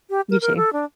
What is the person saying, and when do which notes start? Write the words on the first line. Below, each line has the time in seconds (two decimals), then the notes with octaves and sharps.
You too.
0.10 G4
0.31 A#4
0.42 A#4
0.56 A4
0.73 D4